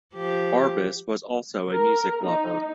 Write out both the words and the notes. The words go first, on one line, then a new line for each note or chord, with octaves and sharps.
Arbus was also a music lover.
F3 G4
A#4
D#4